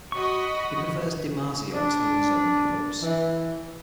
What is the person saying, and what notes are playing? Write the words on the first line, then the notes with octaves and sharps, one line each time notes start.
He prefers DiMarzio Tone Zone pickups.
F#4 D#5 B5 C#6
D4
E3